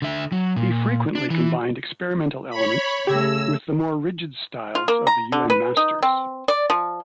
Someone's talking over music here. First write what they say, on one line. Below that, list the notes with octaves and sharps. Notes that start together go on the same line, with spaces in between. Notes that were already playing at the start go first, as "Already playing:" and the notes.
He frequently combined experimental elements with the more rigid styles of the Yuan masters.
D3 E5
F#3
A#2
D4
E3
C#5 B5
C#3 A3 G4 E6 G#6 A#6
F4
A#3
A#5
D3
B4
D#4
C4
D5
F3